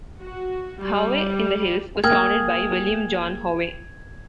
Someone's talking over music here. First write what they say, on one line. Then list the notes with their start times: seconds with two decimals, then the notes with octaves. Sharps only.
Howey-in-the-Hills was founded by William John Howey.
0.21 F#4
0.80 G3
2.04 A#3 G#4 G5 F6 G#6